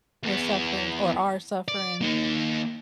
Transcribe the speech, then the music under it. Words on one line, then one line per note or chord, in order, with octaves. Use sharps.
we're suffering or are suffering
E2 B3
D5
A#3 D#4